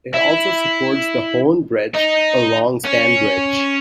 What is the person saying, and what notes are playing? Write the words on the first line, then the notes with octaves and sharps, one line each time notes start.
It also supports the Hoan Bridge, a long span bridge.
E4
D#4
C#4